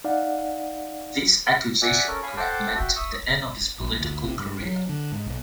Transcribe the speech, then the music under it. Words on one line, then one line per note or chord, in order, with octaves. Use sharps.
This accusation could have meant the end of his political career.
D#4 D5 F5 F#5
D5 E5 F#5 G#5
C#4 A4 A#4 C#5
C#5 F5 G#5 B5 C#6
A4 C5 F#5 G5 A5 D6
F#4 E5 G5
E5 C#6 D#6 E6
A#1
D2
C3
G2
F#3
D3
G#2
B1